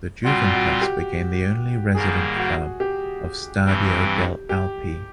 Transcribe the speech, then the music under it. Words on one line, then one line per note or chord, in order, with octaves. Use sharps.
The Juventus became the only resident club of Stadio delle Alpi.
A#2 G3 C4 F4 F#4
F#4
G4
G#2 D#3 G3 A#3 G#4
F#4
G4
G2 E3 G3 C4
G4